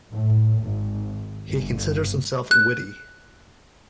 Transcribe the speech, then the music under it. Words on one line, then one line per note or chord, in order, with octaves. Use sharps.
He considers himself witty.
A2
G#1
G1
F#6